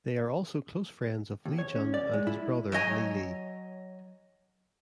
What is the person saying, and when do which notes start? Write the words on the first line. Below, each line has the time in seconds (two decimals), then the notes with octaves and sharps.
They are also close friends of Li Jun and his brother Li Li.
1.46 D#2
1.58 C#5
1.75 C#4
1.94 D5
2.13 G#3
2.27 E4
2.72 F#3 C#5 D#5 G#5